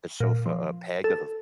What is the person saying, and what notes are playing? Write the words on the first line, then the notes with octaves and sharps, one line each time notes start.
the sofa, a peg of the
A#2
F3
A4